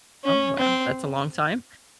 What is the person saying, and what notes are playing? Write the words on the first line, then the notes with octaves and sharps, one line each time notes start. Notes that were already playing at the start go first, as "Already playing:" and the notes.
Oh, wow, that's a long time.
C#4
C4